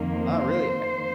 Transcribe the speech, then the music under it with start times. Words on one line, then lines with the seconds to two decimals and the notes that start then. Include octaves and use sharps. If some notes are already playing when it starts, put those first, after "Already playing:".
Oh, really e
Already playing: F2 D#3 A#3
0.13 C5